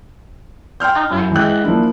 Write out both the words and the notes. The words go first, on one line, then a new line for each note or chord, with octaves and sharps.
I like that.
G5 C6 F6 G6
F#2 E4
E3 G#3 G5 F#6
F3 A#3 D4 E4